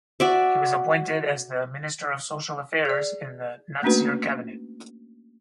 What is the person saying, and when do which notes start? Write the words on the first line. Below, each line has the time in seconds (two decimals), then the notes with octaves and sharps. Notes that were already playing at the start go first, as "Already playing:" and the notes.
He was appointed as the Minister of Social Affairs in the Natsir Cabinet.
0.20 F#4 D5 E5
2.85 G#4 D5
3.82 A3 A#3 C#4 D4 F#4 B4